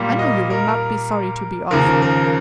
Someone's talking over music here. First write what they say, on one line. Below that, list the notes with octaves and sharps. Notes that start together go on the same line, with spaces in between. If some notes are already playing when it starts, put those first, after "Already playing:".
I know you will not be sorry to be off.
Already playing: A#2 G3 A#3
D#5
A#4
D#2 C#3 F3 A#4
A#4